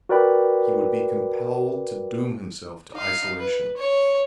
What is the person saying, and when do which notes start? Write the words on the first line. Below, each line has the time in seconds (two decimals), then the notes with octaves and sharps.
He would be compelled to doom himself to isolation.
0.09 F#4 A#4 B4 D5 G5 B5
2.94 D#4 F5
3.40 B4
3.77 C#5